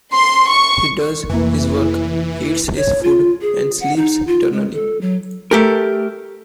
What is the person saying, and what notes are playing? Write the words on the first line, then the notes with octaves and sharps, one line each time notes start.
He does his work, eats his food, and sleeps eternally!
C6
C#6
F1 E3 A#3
C#5
F4
G#4
F#5
D#4
F4
G#3
A4
F#3
A3 G4 A#4